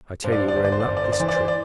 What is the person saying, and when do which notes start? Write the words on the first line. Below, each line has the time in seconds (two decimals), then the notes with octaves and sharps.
I tell you, we're in luck this trip.
0.24 G2 C5
0.32 D5
0.40 C5
0.48 D5
0.56 G1 C5
0.65 D5
0.72 C5
0.80 D5
0.88 G1 C5
0.97 D5
1.04 C5
1.12 D5
1.20 E3 C5
1.28 D5
1.36 C5
1.48 D5